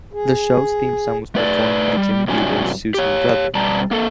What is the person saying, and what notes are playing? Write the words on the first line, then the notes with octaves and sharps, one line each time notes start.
The show's theme song was performed by Jimmy Beavers, Susan's brother.
G#4
A3 B4 D5
G3
G2 C3 F#3 D4 G#5
G4 C#5
B2 G3 D5 A5 A#5
A#3 A4